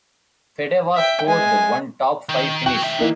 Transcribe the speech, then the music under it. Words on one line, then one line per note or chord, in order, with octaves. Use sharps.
Fedewa scored one top five finish.
E5 G5
G#3 G#5
D#3
F#3 F#4 G5
D#3 E5
E3 A#3 D#4